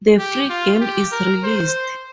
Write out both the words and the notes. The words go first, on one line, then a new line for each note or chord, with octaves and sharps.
The free game is released.
G4
F4
G4
A#4
C5